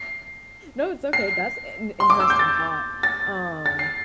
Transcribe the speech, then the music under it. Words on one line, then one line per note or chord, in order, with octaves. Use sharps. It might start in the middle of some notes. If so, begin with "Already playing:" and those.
no, it's okay, that's in interesting thought, um,
Already playing: C7
C7
C6
D6
E6
G6
A6
A6
A6
C7